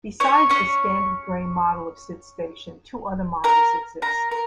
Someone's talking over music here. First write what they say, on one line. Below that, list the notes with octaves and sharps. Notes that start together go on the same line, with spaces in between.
Besides the standard grey model of SidStation, two other models exist.
C#4 C#5
C#4 C#5
A#4 A#5
A#4 A#5
A#4